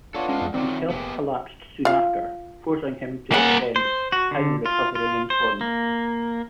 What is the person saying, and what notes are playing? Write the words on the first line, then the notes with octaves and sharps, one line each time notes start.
His health collapsed soon after, forcing him to spend time recovering in Cornwall.
B3 D4 F4 A4 C#5
G#3 C#4 F5
F2
D#3 F#3 C4 F4 D5
E4
F1 A#3 B3 G4 G#4
F4 F5
A#3 C#4 G#4 F#5
C5
F#4
D3
F4
F4
C5
A#3